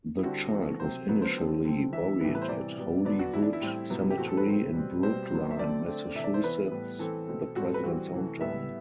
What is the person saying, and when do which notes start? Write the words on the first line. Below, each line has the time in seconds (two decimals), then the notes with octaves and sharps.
The child was initially buried at Holyhood Cemetery in Brookline, Massachusetts, the president's hometown.
0.19 E4
0.23 D3 G3 C4 F#4
0.52 E3 A3 C4
0.80 C3 F#3 C4 C5
1.09 D3 F#3 B3
1.22 C5
1.37 D3 A3 C4
1.65 D3 G3 C4
1.92 E3 B3 E5
2.21 A2 E3 G3 B3
2.35 B4
2.42 C5
2.49 C3 E3 G3 D5
2.77 B2 G3 B3
3.05 D3 F#3 B3 D5
3.19 F#4
3.33 E3 B3 E4
3.42 D4
3.53 E4
3.61 A2 G3 C4
3.90 C3 F#3 B3
4.10 G4
4.18 A2 E3 A3 C4 F#4
4.28 A4
4.37 B4
4.47 A2 F#3 C4
4.74 B2 G3 C4
5.03 B2 G3 C4 C5
5.31 D3 F#3 B3
5.51 E5
5.59 D3 F#3 A3 C4 D5
5.87 D3 A3 C4
6.15 C3 E3 A3 E5
6.24 D5
6.34 C5
6.43 E3 B3 B4
6.71 A2 G3 B3
6.99 E3 A3 C4 A4
7.28 B2 A3 C4
7.56 A2 G3 C4 F#4
7.65 A4
7.74 B4
7.84 E3 G3 C4 F#4
8.12 C3 E3 A3
8.41 A2 G3 B3 E5